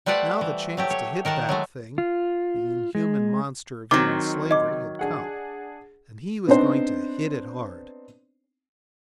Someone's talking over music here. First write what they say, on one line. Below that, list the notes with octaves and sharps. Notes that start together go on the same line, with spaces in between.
Now the "chance to hit that thing"--the inhuman monster of human slavery--had come, and he was going to "hit it hard."
G3 A3 B4 C5 D5 F#5
E3
F#3 A3 G4
C#5
D#3 A#4 F#5 A5
F#3 G#3 A3
F4
G#3
D#3 F#3 C4 D#4 D6
D#5 D6
D4 G#4 F#5
B3 C4 D4 D#4 C5